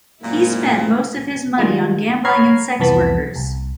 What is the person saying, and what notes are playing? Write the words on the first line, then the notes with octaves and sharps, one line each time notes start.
He spent most of his money on gambling and sex workers.
F#2 A#2 G#3 A#3 C4 E4
D#3 G3 G#3 F4
C#5 A#5 B5 F6 G#6 C7
C2 F2 E3 B3 A5 B6
C2